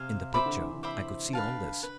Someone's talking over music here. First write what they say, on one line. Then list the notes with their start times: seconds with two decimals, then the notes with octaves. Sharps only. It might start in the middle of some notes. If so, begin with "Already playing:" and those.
In the picture I could see all this.
Already playing: C3 C5 F5 G#5
0.34 C3 C5 E5 B5 D6
0.46 D3
0.58 E3
0.71 D3
0.83 C5 E5 B5 D6
1.33 D3 B4 F5 A5
1.83 B4